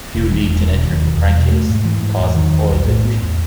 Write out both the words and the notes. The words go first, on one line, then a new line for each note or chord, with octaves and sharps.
Fuel leaked and entered the crankcase, causing oil dilution.
E1
E2
E1
E1
D#2
E1
E2
B2
A3
G#2
E3
G#2
E2
D#3
E2
B1
A2
B3
E2